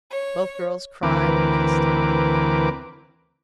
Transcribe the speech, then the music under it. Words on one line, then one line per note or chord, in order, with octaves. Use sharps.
Both girls cried and kissed and laughed.
C#5
D2 E3 C4 A#4 B4 D6